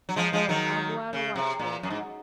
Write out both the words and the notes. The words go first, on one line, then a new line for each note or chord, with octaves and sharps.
Well, I'll go out and watch them.
F#3
F3 G#3
F3 G#3
D#3 F#3
C#3
C3
A#2
F#2
G#2